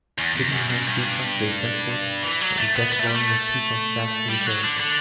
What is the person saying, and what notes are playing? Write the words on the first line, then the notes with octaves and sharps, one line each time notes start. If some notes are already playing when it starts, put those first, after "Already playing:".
Hidden behind tree-trunks they sent forth a death volume of peacock-shafts to the Sheriff.
E2
E2
F#2
F#2
G2
E3
F#3
A3
B3
B3
A3
G3
A3
G3
F#3
D3
D3